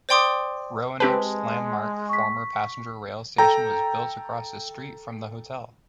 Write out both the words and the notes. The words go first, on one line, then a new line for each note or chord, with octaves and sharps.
Roanoke's landmark former passenger rail station was built across the street from the hotel.
C5 D5 G5 C6 D6 D#6
G#3 C4 G4 B4 A5
C#6 B6
A4 G5 A#5